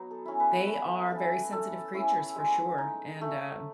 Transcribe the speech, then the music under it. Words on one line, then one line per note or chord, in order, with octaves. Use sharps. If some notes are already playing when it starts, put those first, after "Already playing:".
they are very sensitive creatures for sure and, um
Already playing: F#3 B3 D#4
A4
C#4 E4
B4
A3 B4
C#4 E4 A4
A3 A4
C#4 E4
G#3
D#4
A3